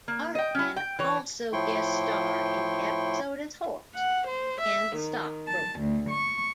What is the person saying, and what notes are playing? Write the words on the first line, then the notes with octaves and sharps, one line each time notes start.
Hartman also guest-starred in the episode as Horst and the stockbroker.
A#3
D#5 G5
C#4 E4
G5
E3 C#5
A2 F3 E4 G5 C6 C#6
F#5
C5
E5
D#3
A5
D2
C#6